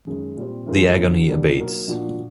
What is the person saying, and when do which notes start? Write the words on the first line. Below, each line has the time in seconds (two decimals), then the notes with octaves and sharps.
The agony abates.
0.07 F#2 D#3 G#3 C#4
0.36 A#2 G3 C4
0.67 E3 G#3 C#4 F4 A#4
0.97 D3 F#3 B3 E4
1.28 B2 G3 A#3 D4
1.57 F#3 A#3 D#4 F#4 A#4
1.88 A#2 F3 A#3 D4 F#4